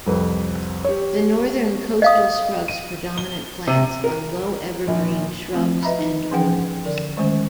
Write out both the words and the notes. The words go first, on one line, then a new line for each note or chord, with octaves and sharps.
The Northern coastal scrub's predominant plants are low evergreen shrubs and herbs.
C2 F2 B4
G4 C#5
D#5 F5 D#6
D#7
G7
C3
A#4
A#1
F3 A3 C4 F4
B4 D#5 E5 A#5 B5
D#4
E3 F3 C#4 G#4 F#5 G5
D3 A#4 D5
D#3 G#3 A3 C#4 C5